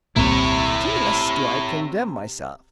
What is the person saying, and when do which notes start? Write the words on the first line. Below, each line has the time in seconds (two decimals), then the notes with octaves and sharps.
Still less do I condemn myself.
0.16 D#1 C2 C3 A#3 E4 C#5